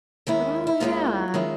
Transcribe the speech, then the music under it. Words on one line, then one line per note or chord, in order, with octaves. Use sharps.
Oh, yeah.
D#2 D#3 G#3 C#4 E4
E4
D#2 D#3 G#3 C#4 E4 F4
D#3 G#3 C#4 E4